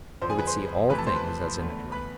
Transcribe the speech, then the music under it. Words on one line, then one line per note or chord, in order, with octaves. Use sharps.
He would see all things as in a dream.
F2 D3 F3 C5
G#4 G#5
B4 B5
C5 C6
F2 C3 E3 A3 B4 B5
A4 A5
C5 C6
B4 B5
E2 D3 A3
B4 B5